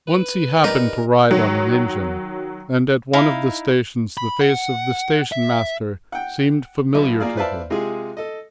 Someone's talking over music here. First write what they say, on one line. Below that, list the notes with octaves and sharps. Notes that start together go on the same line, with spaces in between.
Once he happened to ride on an engine, and at one of the stations the face of the station-master seemed familiar to him.
B4
D#4 G4 A#4 D5
D#3 F#3
D#4 E4 F5
B5
F#5
E5
F#5 G5
B1 B2
A#3 F4 G#4 A#4 D5 F5
B4 C5 D5 E5 F5 A5
C3 G#3 F4 G#4
A4 D#5